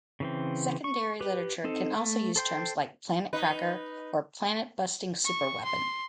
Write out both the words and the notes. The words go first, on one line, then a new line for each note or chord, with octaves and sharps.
Secondary literature can also use terms like "planet-cracker" or "planet-busting superweapon".
C#3 E3 C4
C#6
G4 B4
C4 D#4 A4
A3
A4 C5 G5 C6
D#4 B4
C#6
C6